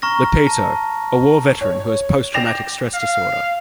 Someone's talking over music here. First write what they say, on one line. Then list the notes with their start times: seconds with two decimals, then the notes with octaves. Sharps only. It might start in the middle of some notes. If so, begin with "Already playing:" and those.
Lupito - A war veteran who has post-traumatic stress disorder.
0.02 A#5 C#6 F6 A#6
0.47 A5
1.61 C#5
2.34 G5 D6 A#6 C7 E7 F7
2.94 F5